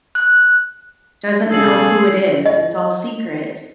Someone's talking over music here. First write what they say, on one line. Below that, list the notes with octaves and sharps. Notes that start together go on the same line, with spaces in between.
doesn't know who it is, it's all secret,
F#6
B1 C#3 G#4 A4 E6 C7 F#7
D#5